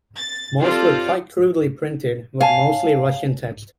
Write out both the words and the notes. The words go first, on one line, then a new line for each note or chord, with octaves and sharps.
Most were quite crudely printed with mostly Russian text.
A6
C4 F4 G4 A4 D5
C#5 F5 G#5 A5